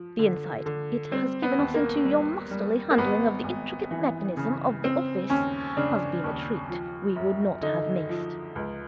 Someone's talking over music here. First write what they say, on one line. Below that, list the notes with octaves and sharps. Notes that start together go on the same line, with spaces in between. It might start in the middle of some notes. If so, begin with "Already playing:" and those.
The insight it has given us into your masterly handling of the intricate mechanism of the office has been a treat we would not have missed.
Already playing: F3
D3
D3
G3 C4
B3
D#2
A#3
G3
G3
A#3
G#1 B3
G#1
E3
C#3
C#3 C4
D#2 C#4
C#3 D4
D#2
F3
F#2
D3 D#4
F3
C#2